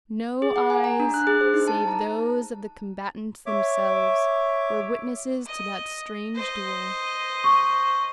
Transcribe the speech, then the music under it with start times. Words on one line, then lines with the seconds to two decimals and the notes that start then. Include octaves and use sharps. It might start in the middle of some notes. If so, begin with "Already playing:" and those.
No eyes--save those of the combatants themselves--were witnesses to that strange duel.
0.42 G#4
0.56 F#5
0.70 G#5
0.84 A#5
1.00 D4
1.14 F#6
1.27 G#4
1.41 C5
1.54 D#4
1.68 A5
1.88 A#5
3.46 C#5 E5 D6
5.46 D#5
6.35 C5 D#5
7.44 C#6